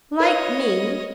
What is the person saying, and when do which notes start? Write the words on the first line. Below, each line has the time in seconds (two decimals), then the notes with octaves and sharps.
Like me!
0.20 D#4 A#4 B4 C#5 D#5